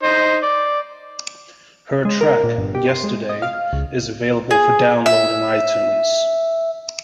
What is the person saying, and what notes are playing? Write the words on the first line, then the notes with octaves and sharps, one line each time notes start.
Her track, "Yesterday", is available for download on iTunes.
D#4 C5
D5
G#3
A#4
A#2
G1
G4
C6
G#3
D#5
F5
C#2
G#4
E5